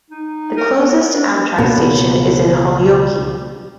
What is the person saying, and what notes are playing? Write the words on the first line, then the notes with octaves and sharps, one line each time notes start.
The closest Amtrak station is in Holyoke.
D#4
A#4
B3
D4
C#2 B2 A#3